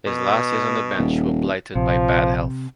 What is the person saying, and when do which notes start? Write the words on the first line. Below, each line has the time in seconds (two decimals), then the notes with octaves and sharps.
His last years on the bench were blighted by bad health.
0.06 B2
0.98 D#1
1.75 A#1 C3 F3